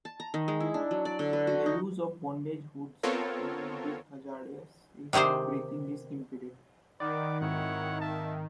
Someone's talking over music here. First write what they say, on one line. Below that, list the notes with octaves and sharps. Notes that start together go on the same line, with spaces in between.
The use of bondage hoods can be hazardous if breathing is impeded.
A5
A#5
D#3
G#3
E4
D4
F#3
D5
D3
B4
F#4
D#4
B3 C4 F4 A4 A#4 C#5
C3 D#3 G4 G#4 C5
D#3 D5 F#5 B5 D6
G#1 E4 C#5 F#5
A#3 E5 A5